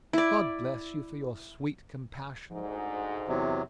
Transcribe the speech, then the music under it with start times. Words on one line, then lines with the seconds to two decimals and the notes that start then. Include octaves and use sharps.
"God bless you for your sweet compassion!"
0.13 E4 D5
2.52 D2 G#2
3.28 E2 C3 F#3